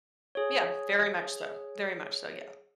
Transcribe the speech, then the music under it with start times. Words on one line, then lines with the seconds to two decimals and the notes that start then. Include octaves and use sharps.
Yeah, very much so, very much so, yeah
0.35 G#4 C#5